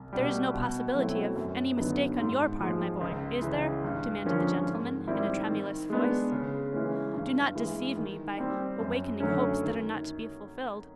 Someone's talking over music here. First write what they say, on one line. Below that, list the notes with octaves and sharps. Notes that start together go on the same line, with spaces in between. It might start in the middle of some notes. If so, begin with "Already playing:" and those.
There is no possibility of any mistake on your part, my boy, is there?' demanded the gentleman in a tremulous voice. 'Do not deceive me, by awakening hopes that are not to be fulfilled.'
Already playing: C2
B2 G3
B2
F#3 A3 C4 E4
F#2
D3 F#3 B3 D#4
G#2
F3 G#3
C#2
C#3 E3
G2
D3 F3 A#3 C#4
G#2
D#3 G3 C4 E4
D#3
G#3 B3 D4
C#3
E3 G#3 C#4
G2
E3 G#3
D#3
G3 C4
F#2
D3 F#3 A3 C#4
D#3